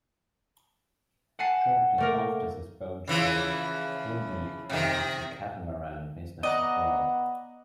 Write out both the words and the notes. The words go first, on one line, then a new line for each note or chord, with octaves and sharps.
Shortly after this boat show, Hobie entered the catamaran business as well.
F#5 G#5 A5 C7
A3 A#3 A#4
C#3 E3 F3
C3 D#3
B3 D5 D#5 F#5 A#5